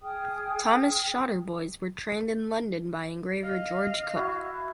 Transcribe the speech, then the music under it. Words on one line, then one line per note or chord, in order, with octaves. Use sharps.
Thomas Shotter Boys were trained in London by engraver George Cooke.
G#4 G5 D#6 F6
D#5 F5
E4 F#4